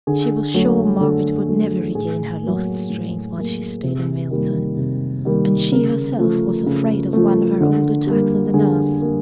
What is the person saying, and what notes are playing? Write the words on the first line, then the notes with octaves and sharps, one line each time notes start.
She was sure Margaret would never regain her lost strength while she stayed in Milton; and she herself was afraid of one of her old attacks of the nerves.
D3 G#4
F#3 A3
D3 A4
F#3 A3
A2 G#4
F#3 A#3
A2
F#3 A#3
C3
D#3 G3 A#3
C3
D#3 G3 A#3
C#3 A#4
F3 A3
C#3
F3 A3
D3
G3 A#3
D3 G#4
G3 A#3